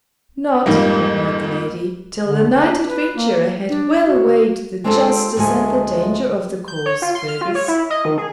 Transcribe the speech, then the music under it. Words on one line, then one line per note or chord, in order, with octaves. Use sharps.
'Not,' replied the lady, 'till the knight adventurer had well weighed the justice and the danger of the cause, Fergus.
F2 G#2 G3 A#3
D3
D4
B4
A#3
D4
F#4
G#3 C4 D4 F4 G4 A4
D2 F3 G#3 A3 G#5
G6
C#5
F4
C6
F6
F4
C#5
E4
D#5
D#3
G#4